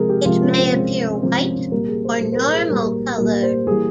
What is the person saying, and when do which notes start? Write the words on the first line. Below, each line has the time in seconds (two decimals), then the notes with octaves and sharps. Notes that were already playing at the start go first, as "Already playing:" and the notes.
It may appear white or normal colored.
Already playing: C3 F3 G#3 G#4 A#4
0.09 G4
0.25 C3 F3 G#3 F4
0.42 C#4
0.58 C4
0.74 C3 F3 G#3
1.22 C3 F3 G#3 C4
1.39 C#4
1.56 C#4
1.72 A#2 G3 A#3 A#4
1.89 G#4
2.05 C5
2.20 A#2 G3 A#3 A#4
2.32 C5
2.36 A#4
2.53 G#4
2.70 A#2 G3 A#3 A#4
3.18 A#2 G3 A#3 A#4
3.43 C5
3.67 E3 G3 A#3 G#4